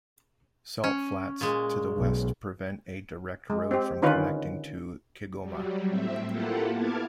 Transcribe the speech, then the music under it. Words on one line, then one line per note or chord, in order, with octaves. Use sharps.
Salt flats to the west prevent a direct road from connecting to Kigoma.
C#4
A#2 G#3
B1
G#3
C4 G4
D3 D#3 C#4 D#4 F4 B4
F#3 G3
A2 C4 E5
A#3 E4 F4 G4 A4 F#5
B3 E4 A5 D6 F6 G#6